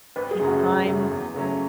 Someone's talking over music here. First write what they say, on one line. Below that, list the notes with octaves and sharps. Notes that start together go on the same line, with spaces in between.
each time,
G#1 B4
G#4
F#2 C#3 F#3 A3
F#4
G#1 F#4
F#2 C#3 F#3 A3
E2
C#3 F#3 A3 C#4